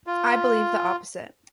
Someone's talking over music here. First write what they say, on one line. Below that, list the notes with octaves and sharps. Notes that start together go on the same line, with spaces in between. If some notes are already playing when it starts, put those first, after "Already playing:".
I believe the opposite.
F4